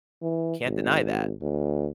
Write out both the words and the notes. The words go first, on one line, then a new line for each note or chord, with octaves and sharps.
Can't deny that,
E3
G#1
D2